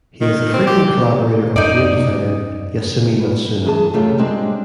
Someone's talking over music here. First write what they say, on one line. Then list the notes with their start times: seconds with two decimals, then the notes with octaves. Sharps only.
He is a frequent collaborator of game designer Yasumi Matsuno.
0.21 D#3
0.54 C4
0.67 G4
1.56 F#2 D#4 D5
3.20 B3
3.65 E3 G#4 A5
3.93 F#2 C3 A3 F4 G4 G5
4.18 G3 G#3 C4 D4